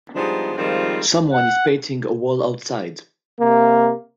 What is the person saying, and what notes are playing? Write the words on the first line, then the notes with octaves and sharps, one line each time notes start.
Someone is painting a wall outside.
F3 G3 G#3 B3 D4 D#4
D#3 F3 G3 G#3 C4 F4
F#5
C3 A#3